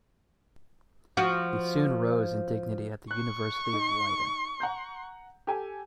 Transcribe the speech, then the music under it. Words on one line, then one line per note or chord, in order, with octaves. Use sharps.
He soon rose in dignity at the University of Leiden.
F3 F#4
C#6 F#6
D#4
F#5 A#5 G6
G4 A4 G#5